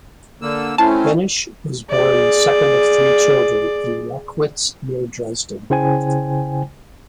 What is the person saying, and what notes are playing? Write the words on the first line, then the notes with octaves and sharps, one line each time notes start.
Behnisch was born the second of three children, in Lockwitz near Dresden.
D3 A#3 E6
A3 C4 C#4 E4 A5
G#4 D5
C#3 E4 C5 G5 G#5